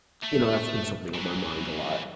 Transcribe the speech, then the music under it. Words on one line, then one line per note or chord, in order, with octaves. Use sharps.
you know, that's been something on my mind a lot.
A3
E3 F#3